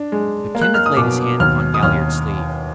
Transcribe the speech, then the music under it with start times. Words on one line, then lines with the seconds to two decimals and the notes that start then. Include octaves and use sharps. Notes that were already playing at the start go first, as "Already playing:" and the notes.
But Kenneth laid his hand upon Galliard's sleeve.
Already playing: D4
0.12 G#3
0.55 A#3
0.62 F#6
0.74 F6
0.86 D#6
0.97 B2 D6
1.40 D#2 F6
1.74 D#6
1.83 D#2 F6